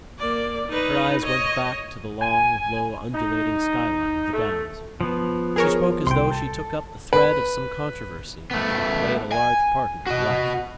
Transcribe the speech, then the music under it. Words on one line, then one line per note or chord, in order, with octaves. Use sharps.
Her eyes went back to the long, low, undulating skyline of the downs. She spoke as though she took up the thread of some controversy that had played a large part in her life.
A#3 D5
D#4 B4
C#5 D#5
G#5
D#4
A3
F3 B3
G#4 A#4 C#5
C2 G5 C6
A4
B4
A3 B3
G#5
F#4 D#5